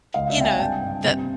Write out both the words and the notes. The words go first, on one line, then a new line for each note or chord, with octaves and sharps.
you know, that
C#2 D#5 F5
D5 E5
C3 G5
F#5 G#5
G2 G5 A5
G2
C3